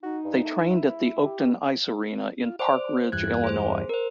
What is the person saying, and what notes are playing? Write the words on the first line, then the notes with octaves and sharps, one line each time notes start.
They trained at the Oakton Ice Arena in Park Ridge, Illinois.
D#4 F#4
G2
A3
E4
E4
G4
F4
C5 D5
E2 G2 F#6 G#6
G#4 C5
A#4 C5